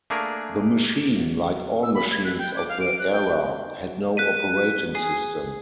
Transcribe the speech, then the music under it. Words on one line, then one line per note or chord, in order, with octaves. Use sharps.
The machine, like all machines of the era, had no operating system.
A3 A#3 D4 G#4 A#4
E6
B5
G#6
F#6
G5
D6
F5
D7
F#6
G5
F#6 B6 D#7
G#4